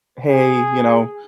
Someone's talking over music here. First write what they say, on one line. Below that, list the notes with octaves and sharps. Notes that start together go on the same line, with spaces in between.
"Hey," you know,
G#4